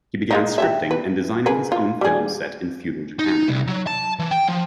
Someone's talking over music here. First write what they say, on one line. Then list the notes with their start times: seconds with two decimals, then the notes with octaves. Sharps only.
He began scripting and designing his own film set in feudal Japan.
0.31 G#3 A#3 D#4
0.58 G4 A4 E5
0.91 B4
1.46 G#4 A#4 B4
1.72 F4
2.01 G3 G#4
3.19 D#4
3.48 C2
3.67 F#3
3.87 A5
4.19 E3
4.31 G5
4.48 F3